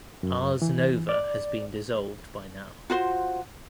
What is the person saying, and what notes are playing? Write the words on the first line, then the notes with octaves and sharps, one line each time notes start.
Ars Nova has been dissolved by now.
F#2
E3
D5
F4 F#4 C5